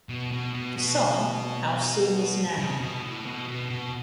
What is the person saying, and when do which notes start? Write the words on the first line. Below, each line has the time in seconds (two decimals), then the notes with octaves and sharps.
The song How Soon Is Now?
0.09 B2
0.32 B2
0.55 B2
0.78 B2
2.58 C#3
2.80 B2
3.02 A2
3.26 B2
3.48 B2
3.70 B2